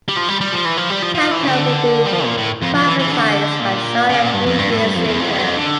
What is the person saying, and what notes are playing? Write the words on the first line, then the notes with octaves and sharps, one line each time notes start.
Cancom would be privatized by Shaw a few years later.
G3
F3
G3
G3
F3
E3
F3
G3
F3
F3
E3
C#3
D3
G3
F3
A#2
A2
F2
F2
E3
E3
C#3
D3
A#2
C#3
A#2
G2
F2
G2
A2
G2
F2
E2
F2
E2
F2
G2
F2
D3